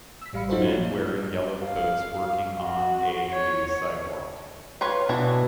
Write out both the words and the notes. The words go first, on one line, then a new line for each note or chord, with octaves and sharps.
Men wearing yellow coats working on a the sidewalk.
E6 B6
A1 G3 F5 B5 C#7
F#3 D#4 F4 F#4 A4 C5
F3 F#3 C#4
F5
F#4
C#5
F4 B4 C#5
B2 E3 D4 E4